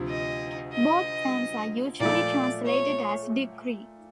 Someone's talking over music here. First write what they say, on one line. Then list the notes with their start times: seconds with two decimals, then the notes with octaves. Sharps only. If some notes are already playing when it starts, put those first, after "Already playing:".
Both terms are usually translated as "decree".
Already playing: D2 C3 F3
0.09 D#5
0.73 D#5
2.00 A#2 F3 A3 D5
2.65 C#5